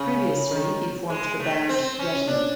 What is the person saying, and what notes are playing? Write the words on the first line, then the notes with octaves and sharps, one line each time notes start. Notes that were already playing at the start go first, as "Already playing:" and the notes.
Previously, he formed the band Yeti.
Already playing: C#3
D#3
G#3
A3
C4
C#4
D4